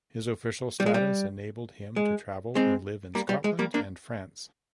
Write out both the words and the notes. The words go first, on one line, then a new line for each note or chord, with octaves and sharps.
His official status enabled him to travel and live in Scotland and France.
G3
G#3
G3
G#3
G#3 C4
G3 A#3
G3
G#3
G3 A#3
A#3 D4